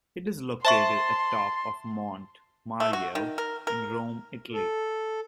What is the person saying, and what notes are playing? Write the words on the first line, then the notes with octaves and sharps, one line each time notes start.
It is located atop of Monte Mario in Rome, Italy.
C5 E5 A5 C6 C#6
A3
F#4
D#3
A#4
A#4
A4